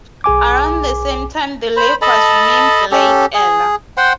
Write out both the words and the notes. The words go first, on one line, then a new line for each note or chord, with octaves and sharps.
Around the same time the lake was renamed Lake Ella.
B1 G#4 G#5 D6
C5 B5
A4 D#5 A5 B5
C#4 G4 A4
G#4
C5 F#5 G5 C6